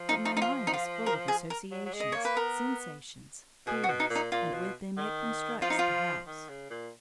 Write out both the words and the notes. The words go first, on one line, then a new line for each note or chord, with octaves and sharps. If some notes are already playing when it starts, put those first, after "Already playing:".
But my mind is full of associations, sensations, theories, and with them it constructs the house.
Already playing: F3
D#4
D#4
D#4
F4
D#4
F4
A#4
G#4
A#4
F#3
F#3
G#3
D#5
A#3 C#5
B4
B3 A#4
B2 G#4
F#4
B2
D#4
A#2
D#4
A#2 F4
B2
D#3
F3 F4
D#4
F4
D#3
C#3
A#2